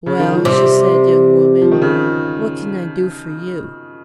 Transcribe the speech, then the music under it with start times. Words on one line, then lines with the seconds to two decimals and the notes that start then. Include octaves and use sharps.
"Well," she said, "young woman, what can I do for you?"
0.06 C#3
0.19 D#3
0.32 F3
0.45 C3 G3
1.62 F3
1.71 D#3
1.82 C#3